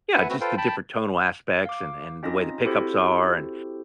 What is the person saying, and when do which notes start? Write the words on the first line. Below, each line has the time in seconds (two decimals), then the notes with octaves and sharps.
Yeah, just the different tonal aspects and and the way the pickups are, and
0.15 B4 E5 F#5 G#5
0.29 A3 C4 F#4 B4
0.41 F4 A4 B4 C5 F5 G5
0.58 G5 A5 B5
1.65 F5 D6
2.23 C4 C#4 D#4 F4 D#5 A#6
2.65 C4 E4 F#4 G4 A4 C5